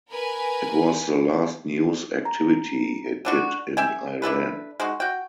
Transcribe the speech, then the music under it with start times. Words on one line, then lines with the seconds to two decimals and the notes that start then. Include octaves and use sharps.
It was the last news activity he did in Iran.
0.11 A#4 B4 G#5
2.25 A#5
3.25 D3 D4 F#4
3.77 E5 G5 G#5
4.22 D4 E4 A4 B4
4.80 G#3 D#4 F#4
5.00 F#4 G5